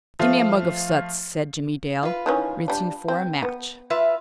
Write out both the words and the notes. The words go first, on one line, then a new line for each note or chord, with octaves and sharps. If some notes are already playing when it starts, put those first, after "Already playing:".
"Gimme a mug of suds," said Jimmie Dale, reaching for a match.
F3 A3 F4
F4 B4
D#3 E3 C#4
G3 D4
C4
B3
F4 B4 E5